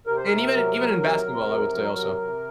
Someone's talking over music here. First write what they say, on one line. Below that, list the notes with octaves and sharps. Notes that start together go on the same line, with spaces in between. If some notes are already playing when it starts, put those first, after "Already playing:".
and even in even in basketball, I would say also.
C3 A#4
C5
C3 A#4
F#3
F#3
C3
C3
F#3
F#3
C3
C3